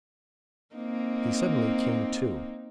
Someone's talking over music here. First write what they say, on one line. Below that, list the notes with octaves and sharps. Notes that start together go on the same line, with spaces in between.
He suddenly came to.
A#3 C4 D#4